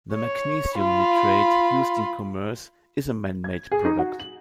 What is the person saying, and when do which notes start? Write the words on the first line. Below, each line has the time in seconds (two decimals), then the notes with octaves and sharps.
The magnesium nitrate used in commerce is a man-made product.
0.14 C#5
0.77 F4 B5
3.44 G#6
3.71 G#4
3.85 D#4
3.99 F#4
4.20 F#7